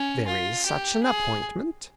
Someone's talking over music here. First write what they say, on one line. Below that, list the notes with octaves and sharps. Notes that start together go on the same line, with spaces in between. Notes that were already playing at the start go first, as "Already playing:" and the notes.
"There is such an appointment."
Already playing: C#4
F4
G4
G#4